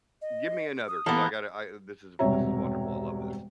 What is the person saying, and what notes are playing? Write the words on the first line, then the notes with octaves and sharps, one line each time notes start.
give me another, 'cause I gotta I this is this is wonderful. I love this.
D#5
D#6
E3 A#3 B3 A4
E1 G2 C3 C#5 E5 A#5